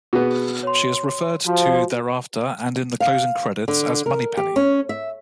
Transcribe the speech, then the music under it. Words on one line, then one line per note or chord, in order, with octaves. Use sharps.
She is referred to thereafter, and in the closing credits, as Moneypenny.
B2 B3 G#4
C#5 C6
F3 F#4
F5
D3
A#4
G4
C#4
E5